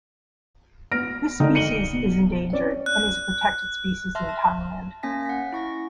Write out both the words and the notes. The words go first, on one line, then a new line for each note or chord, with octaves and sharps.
This species is endangered and is a protected species in Thailand.
B3 F6 A#6 D7
G#1 D3 D#3 D#4 F6
C#7 D#7 F#7 G7
B2
C4 C#4 D5
F#6
E5 A5 C6 F6 A#6
A5
A#3 C#4 G#5 A#6 B6
F#5 B6
E4 C#6 A#6